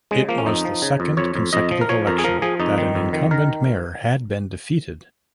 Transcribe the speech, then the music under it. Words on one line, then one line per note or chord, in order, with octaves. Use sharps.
It was the second consecutive election that an incumbent mayor had been defeated.
C#3 G#3
F3 A#3
C#4
F2 D#4
F3
C#3
F2
F2 C#5
F2
F2 D#5
F3
A#4
F3 C#5
F2 A#4
G#4
F3 A#4
F3 G#4
F2 D#4
D#3
F2
D#3
D#3 A#4